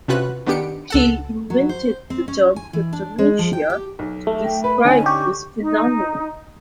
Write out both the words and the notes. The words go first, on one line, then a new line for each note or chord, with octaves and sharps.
He invented the term cryptomnesia to describe this phenomenon.
C3 C#4 F4 F#4 B4 F#6
D#3 B3 D4 G4 C#7 D7
C#2 A4 F#5
F#3
C5
C4
C#4
G#5
E3
D4
G#3
F3
G5
G4
B1
A3
G5
B4 B5
D3 C#4 D#4 G#5
G4 C#6
D#4